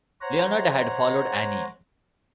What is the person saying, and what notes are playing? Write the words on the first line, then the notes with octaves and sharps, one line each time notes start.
Leonard had followed Annie.
C5 C#5 F#5 A#5